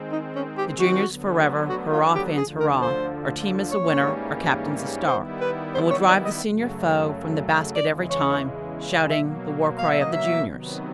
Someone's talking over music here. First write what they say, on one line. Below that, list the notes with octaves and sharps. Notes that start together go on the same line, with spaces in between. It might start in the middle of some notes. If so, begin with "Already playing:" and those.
"The juniors forever, hurrah, fans, hurrah! Our team is a winner, our captain's a star. And we'll drive the senior foe, from the basket every time. Shouting the war cry of the juniors."
Already playing: D#3 G#3 C4
D#4
C#4
G4
F#4
D2 D3 F#3 B3
F#4
F4
G4
D2 D3 F3 G#4
A#4
C5
G#2 E3 G3 A#3 C#4 C#5
D#3 G3 B3 E4 C5
B4
C5
C#5
D5
D#5
F#2 C#3 F#3 A3
E2 C#3 E3 G#3 D5
C#5
B2 F#3 A#3 E5
F5
E5
D#5
E5
C3 D#3 F#3 B3